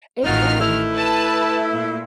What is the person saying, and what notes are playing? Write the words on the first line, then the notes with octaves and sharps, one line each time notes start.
It does.
A1 D#3 D#4 F4 F#4 F6
A3 E4
B4 A5
A#2